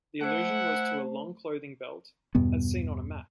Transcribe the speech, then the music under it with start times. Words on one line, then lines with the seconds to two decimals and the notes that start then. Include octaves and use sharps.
The allusion was to a long clothing belt, as seen on a map.
0.21 A3 E4 C5 F#5
2.35 E2 G2 B2 B3